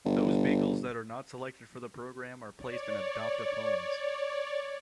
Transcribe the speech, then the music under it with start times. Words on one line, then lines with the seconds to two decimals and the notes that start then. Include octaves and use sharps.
Those beagles that are not selected for the program are placed in adoptive homes.
0.05 G1
2.57 C#5 D5